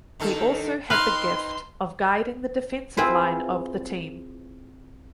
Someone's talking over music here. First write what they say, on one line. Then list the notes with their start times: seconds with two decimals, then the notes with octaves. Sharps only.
He also had the gift of guiding the defensive line of the team.
0.20 G2 D#3 A4
0.90 C4 D#4 B4 F5 C6
2.97 C4 E4 F4 G#4 B4 C5